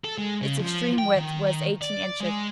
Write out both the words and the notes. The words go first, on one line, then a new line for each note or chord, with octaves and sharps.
Its extreme width was eighteen inches.
A4
G#3
C#3
F3
G5
D#3
D5
G#3